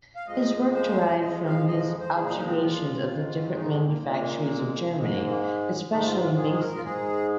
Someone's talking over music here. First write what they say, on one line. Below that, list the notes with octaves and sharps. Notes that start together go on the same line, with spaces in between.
This work derived from his observations of the different manufacturies of Germany, especially Meissen.
F5
F2 F3 G#3 D#5
C5
F2 F3 G#3 D#5
F5
D#5
C5
A#2 F3 G#3 G#4
D#4
C4
F4
G#2 D#3 G#3
D#4
C4
A#3
A#2 G#3 A#3
G#2 G#3
A#3
A#3
G#2 D#3 G#3 D#4
F4
D#4
F4
G#4
G#4
A#4
F4
G#2 G#3 G#4